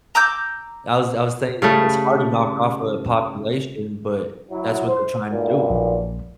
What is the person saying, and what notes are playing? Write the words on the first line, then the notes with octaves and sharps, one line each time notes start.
I was I was saying, it's hard to knock off a population, but that's what they're trying to do.
A#5 D6 E6 G6
C#3 G3 A3
F#3 E4
C5
B1 A#2
A#1